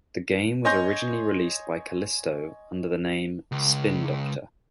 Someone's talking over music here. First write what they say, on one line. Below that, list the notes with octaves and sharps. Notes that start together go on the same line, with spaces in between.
The game was originally released by Callisto under the name "Spin Doctor".
C#5 D#5 G#5 C6 G6 A#6
C#2